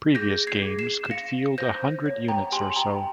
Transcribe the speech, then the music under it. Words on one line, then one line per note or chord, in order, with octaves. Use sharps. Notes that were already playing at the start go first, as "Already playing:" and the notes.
Previous games could field a hundred units or so.
G#4 G6 A#6
G#6 C7
G#4
C7 E7
E7
F5 A#6 C#7
C5 G6 A#6
C#5
G5 A#5
G4 G#5 C6
G5 A#5